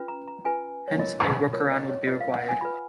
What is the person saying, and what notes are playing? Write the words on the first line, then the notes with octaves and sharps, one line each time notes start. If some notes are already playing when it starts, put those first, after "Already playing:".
Hence, a workaround would be required.
Already playing: C#4 F4 B4
A#5
A#5
C#4 F4 B4 G#5
C#5
F4 A#4 C#5 D#5
F4 A#4 C#5
D#5
C#5
F4 B4 D#5
F5
F#5
G#5
F4 B4 B5